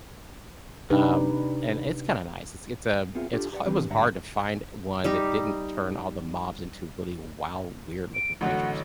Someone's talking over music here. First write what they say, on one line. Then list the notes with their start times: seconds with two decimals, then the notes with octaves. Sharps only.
Um, and it's kinda nice. It's it's a it's ha it was hard to find one that didn't turn all the mobs into really wild, weird looking creatures.
0.90 C3 D4 D#4 G4 B4
3.15 B3 C4 F4 G#4 E5
3.33 D4 F4 G4 A4
3.52 G4 B4 C#5 D5 F#5
3.66 D3 E3 C4 G4 B4
3.90 G#2 D3 G3 E5 F#5 A#5
5.04 G3 D#4 G4
8.14 D7
8.41 A1 D3 F#3 F#5